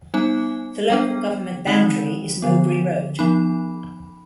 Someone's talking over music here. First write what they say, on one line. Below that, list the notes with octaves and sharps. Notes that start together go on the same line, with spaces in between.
The Local Government boundary is Mowbray Road.
G3 B3 D#4 G#5
G3 B3 D4 G5
D#3 G#3 C4 D#4
D3 F3 B3
F3 B3 D#4 B5